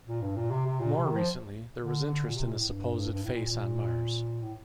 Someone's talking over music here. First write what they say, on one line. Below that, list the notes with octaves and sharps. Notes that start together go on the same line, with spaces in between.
More recently, there was interest in the supposed Face on Mars.
A#2
G2
A#2
C3
C3
A#2
C3
D#3
F3
D3
A#2
C3
A#2
A2
G2
G2
A2
A#2
A#2
A2